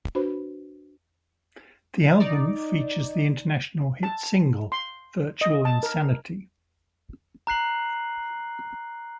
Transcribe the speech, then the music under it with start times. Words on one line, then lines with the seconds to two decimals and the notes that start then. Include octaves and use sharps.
The album features the international hit single "Virtual Insanity".
0.15 D4 F#4 B4 C5 B5
2.20 D#4 D5
4.03 A5
4.72 C6
5.41 D#5
5.65 A5
5.83 A#4
7.47 A#5 F#6 C7 F#7